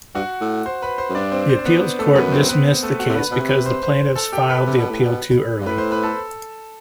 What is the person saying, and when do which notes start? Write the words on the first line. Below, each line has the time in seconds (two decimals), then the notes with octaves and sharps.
The appeals court dismissed the case because the plaintiffs filed the appeal too early.
0.15 G2 F#4 F#5
0.41 A2
0.66 C5 C6
0.82 B4 B5
0.98 C5 C6
1.10 F#2
1.15 G2 D4 D5
1.32 C4 C5
1.48 C4 C5
1.59 C5
1.66 B3 B4
1.99 A3 A4
2.15 F#2 B3 B4
2.32 C4 C5
2.49 B3 B4
2.83 A3 A4
2.99 F#4 F#5
3.09 C3
3.15 D3 B4 B5
3.31 B2 B4 B5
3.41 C3
3.49 B4 B5
3.66 C5 C6
3.83 C5 C6
4.16 A4 A5
4.32 G4 G5
4.49 B4 B5
4.67 C3
4.78 B2
4.90 A2
5.02 B2
5.61 G2
5.66 A2 B4 B5
5.78 C5 C6
5.91 B4 B5
6.03 A4 A5